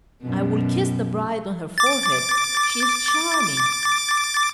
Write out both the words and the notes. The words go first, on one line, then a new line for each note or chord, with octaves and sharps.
I will kiss the bride on her forehead; she is charming.
F#2 B2
D6 A6